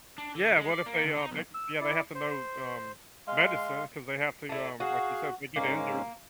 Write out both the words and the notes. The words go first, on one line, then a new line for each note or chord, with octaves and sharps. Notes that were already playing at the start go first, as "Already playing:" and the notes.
Yeah, what if they, um, they yeah, they have to know, um, medicine 'cause they have to, um, like you said, if they get injured
D4
D3
G#3
D5
A#3
D2
D#4
B1
E6
E4 D5
C5
G#3 F5 C6
A3 E4
F#4 G#4 F5
G#2 G#3 A#3 C#4